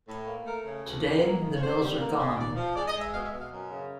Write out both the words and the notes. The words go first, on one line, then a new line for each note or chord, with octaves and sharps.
Today, the mills are gone.
A2
A#3
A3 A#4
C#3
D2
F#3
A#3
D#3
C#5
G2 C5
G3
A#3
C#3
D#2 D5
F3
G#3 D5
D#5
G#3
E5
B2 F5
E5
B2
F5
F#2
C#3